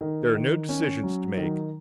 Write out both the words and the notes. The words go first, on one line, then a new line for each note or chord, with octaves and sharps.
There are no decisions to make.
D#3
D#3
C#4
F#3
D#3